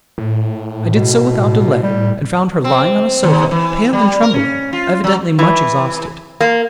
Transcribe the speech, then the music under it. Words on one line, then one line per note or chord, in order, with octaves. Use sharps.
I did so without delay, and found her lying on a sofa, pale and trembling, evidently much exhausted.
A2
B2
G3
C4
D#2
E3
G3
A#4
C#4
F4
F#3
E3
A#3